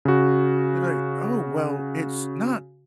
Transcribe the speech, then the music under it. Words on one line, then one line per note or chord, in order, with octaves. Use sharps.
They're like, "Oh, well, it's not
C#3 F#4